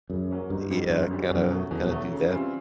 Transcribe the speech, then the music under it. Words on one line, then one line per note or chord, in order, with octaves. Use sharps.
yeah, gotta gotta do that.
F#2 C#3
F#3 A#3 C#4
F#1 G2
F2 D3 G3
G2
F#1 F#2
F2 D3 G3
F#2 B2
F#3 A3
E2 B2
E2
F#3 A3
C#3
E3 G3 C4 F4